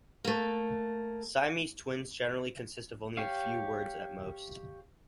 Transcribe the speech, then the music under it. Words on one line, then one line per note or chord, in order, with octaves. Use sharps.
Siamese twins generally consist of only a few words at most.
A3 A#3
G4 C#5 F5